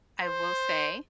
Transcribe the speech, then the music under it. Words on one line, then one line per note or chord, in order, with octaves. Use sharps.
I will say
C5